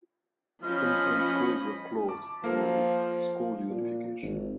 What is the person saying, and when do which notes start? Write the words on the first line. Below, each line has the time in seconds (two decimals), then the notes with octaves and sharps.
Simpson schools were closed through school unification.
0.63 F3 C#4 D#5 F5 B5
2.08 A5 D6
2.44 F3 A#3 A4 A#4
3.70 A#2
4.22 G#1